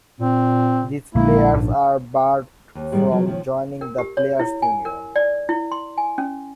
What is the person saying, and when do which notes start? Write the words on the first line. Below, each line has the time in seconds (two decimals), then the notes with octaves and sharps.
These players are barred from joining the players' union.
0.20 A#2 C4
1.15 A#1 D3 G#3 A#3 E4
1.53 A#1 G#2 D4
2.75 D#2
2.92 A2 D#3 E3 G3 G#3 B3
3.09 C#3 F3 F#3 A3
3.26 D#3 F3 A3 C#4
3.81 A#4
3.98 G4
4.17 C#5
4.40 E4
4.62 G#5
4.85 A#4
5.16 D5
5.49 E4
5.72 C6
5.98 G#5
6.18 C#4